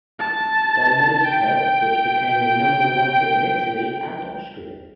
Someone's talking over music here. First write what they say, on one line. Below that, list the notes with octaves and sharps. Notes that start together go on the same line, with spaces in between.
Dimentica, which became a number-one hit in Italy and Austria.
A5
G5